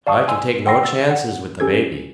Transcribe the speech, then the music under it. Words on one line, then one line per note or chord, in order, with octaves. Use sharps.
"I can take no chances with the baby."
D5 F5 A5 C#6 D#6
G#5 C6 E6
F#5 G5 C6 E6 A#6 C7
E6 A6
F#5
C#4 G4 A4 G#6